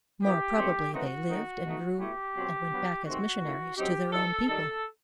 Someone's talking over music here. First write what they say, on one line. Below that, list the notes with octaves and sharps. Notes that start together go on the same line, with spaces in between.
More probably they lived and grew, and went back as missionaries to their own people.
F#2 E3 B3 E4 G4
F#2 D#3 A3 C4
F#2 E3 A3 C4 D#4 F#4
F#2 D#3 A3 D#4
B2 A3 D#4
B2 A3 E4 G4
B2 F#3 C4
G2 F#3 B3
C3 D#3 A3 C4 F#4
D#3 A3 E4
F#2 F#3 C4 D#4 G4
E3 G3 D#4 A4
D#3 G3 D#4 A4